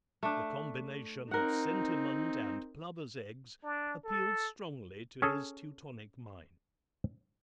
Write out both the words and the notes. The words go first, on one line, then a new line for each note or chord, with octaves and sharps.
The combination of sentiment and plovers' eggs appealed strongly to his Teutonic mind.
A3 D4
C4 D#4 A#4 F#5
D4
A4
C#4 G#4 A4